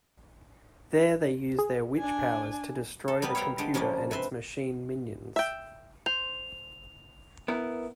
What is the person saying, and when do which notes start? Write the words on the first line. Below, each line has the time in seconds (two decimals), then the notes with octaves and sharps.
There they use their witch powers to destroy the computer and its machine minions.
1.59 G#4
1.98 D4 G#5
3.08 A4
3.22 G3 A#3 B3 G4 B4
3.35 C#5 E5 F5 G5 A#5 B5
3.58 D3 G#3 D4 G4
3.74 C#3 F3 G#3 A#3 C#4 D4
4.11 C3 B4 E5 C6
5.36 E5 G5
6.06 C5 F7
7.48 B3 E4 A#4